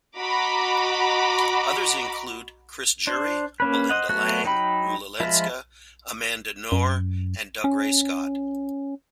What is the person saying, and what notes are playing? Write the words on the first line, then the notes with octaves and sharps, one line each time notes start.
Others include Chris Jury, Belinda Lang, Rula Lenska, Amanda Noar and Dougray Scott.
F#4 D#5 A#5 B5 D6
D4 C5
A#3 C#4 B4
C5 D#5 F#5
F#3 A3 B3 F#4 F#6
F#3 D#4 G5 B5
F3 G#3 F4 E5 B5
F#2
C#4